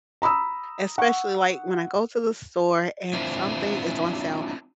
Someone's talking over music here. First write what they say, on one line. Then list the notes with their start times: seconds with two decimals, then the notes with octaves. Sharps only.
especially, like, when I go to the store and something is on sale.
0.22 A#5 B5 D#6 E6
0.98 F#5 C#6
3.13 C4 D4 E4 F4 C5